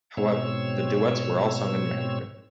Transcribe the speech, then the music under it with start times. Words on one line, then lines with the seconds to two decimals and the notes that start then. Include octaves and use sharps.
However, the duets were all sung in Mandarin.
0.17 G#2 B2 C4 C#5 E6